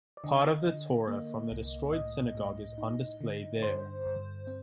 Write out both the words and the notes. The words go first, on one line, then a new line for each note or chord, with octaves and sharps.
Part of the Torah from the destroyed synagogue is on display there.
D5
D3 D#5
D3
A#3
C2
A2 D#5
A2
D#4
D3
G2 C5
G2
C4